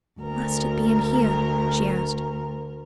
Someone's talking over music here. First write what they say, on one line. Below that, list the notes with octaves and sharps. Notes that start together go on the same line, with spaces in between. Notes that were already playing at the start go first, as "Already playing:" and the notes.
"Must it be in here?" she asked.
D2 A#4